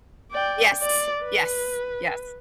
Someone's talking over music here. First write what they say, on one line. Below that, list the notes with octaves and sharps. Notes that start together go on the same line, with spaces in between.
Yes. Yes. Yes.
D5 G5
D5
B4